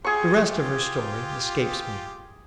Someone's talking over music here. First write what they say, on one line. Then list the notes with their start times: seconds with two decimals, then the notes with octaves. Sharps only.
The rest of her story escapes me.
0.04 F4 G4 G#4 C#6